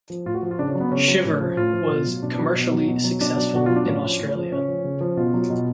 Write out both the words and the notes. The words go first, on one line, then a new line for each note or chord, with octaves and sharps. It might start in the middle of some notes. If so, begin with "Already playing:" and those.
"Shiver" was commercially successful in Australia.
F3
A2 F4
F#4
F3
F4
C#3 D4
C#4
F#3
B3
C#3 C#4
F#3
A2
F3
A2 F4
F3
B2
F#3
B2 D4
D4
F#3
B2
F#3
B2
F#3
B2 D4
F#3
B2 F#4
F#3 F4
D4
A2 C#4
F3
A2
F3
C#3 C#4
F3
C#3
F3
B2 F4
F#3
B2